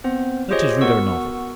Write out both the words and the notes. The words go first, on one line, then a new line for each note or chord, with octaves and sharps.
"Let us read our novel."
B3 C4 C5
F4 G4 G#4 C5 C#5 D#5
B3 F#4 A#4 F#5 C#6 E6